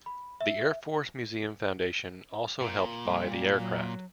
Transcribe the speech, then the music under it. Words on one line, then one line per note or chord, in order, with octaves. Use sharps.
The Air Force Museum Foundation also helped buy the aircraft.
B5
E5
A#2
G3
F#3